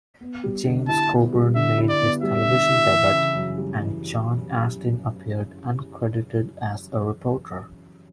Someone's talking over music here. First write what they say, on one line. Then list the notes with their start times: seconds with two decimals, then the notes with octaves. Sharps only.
James Coburn made his television debut, and John Astin appeared uncredited as a reporter.
0.21 B3
0.44 G3
0.66 D3
0.88 E4 A5
1.10 B3
1.33 G3
1.55 D3 E5
1.78 E4
1.89 D5
2.01 B3
2.23 G3 E5
2.45 D3
2.68 E4
2.90 E3
3.13 C#3
3.35 F#2
3.58 G3
3.79 E3